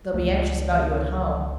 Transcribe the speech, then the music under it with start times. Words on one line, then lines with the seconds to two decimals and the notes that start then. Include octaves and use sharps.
They'll be anxious about you at home.
0.13 C#2 A3